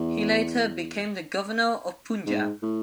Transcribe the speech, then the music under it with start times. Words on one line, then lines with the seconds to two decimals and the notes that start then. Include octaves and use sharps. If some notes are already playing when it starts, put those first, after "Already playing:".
He later became the governor of Punjab.
Already playing: E2
2.26 G#2
2.62 A2